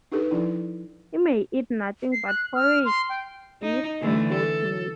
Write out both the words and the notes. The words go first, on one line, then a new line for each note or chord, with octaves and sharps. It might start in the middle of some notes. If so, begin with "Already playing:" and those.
He may eat nothing but porridge, beef, and goat meat.
D4 D#4 G4 A4 B4
F3 D4 E4
C7
F#6
F6
C6
G5
D#4
D3 E3 A3
A4